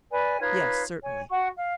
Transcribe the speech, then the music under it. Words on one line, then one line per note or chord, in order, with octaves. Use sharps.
"Yes certainly."
B4 D5 G#5
D#4 F4 B4 C#5
C#5 G#5
F#4 F#5 C#6
F5